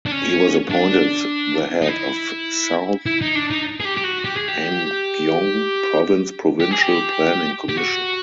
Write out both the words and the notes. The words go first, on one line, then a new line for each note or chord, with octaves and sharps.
He was appointed the head of South Hamgyong Province Provincial Planning Commission.
D4
C#4
D4
D#4
E4
E4
D#4
D4
D#4
G#4
G4
G4
F#4
G4
G#4
G4
G4
G#4
G4
G4
F#4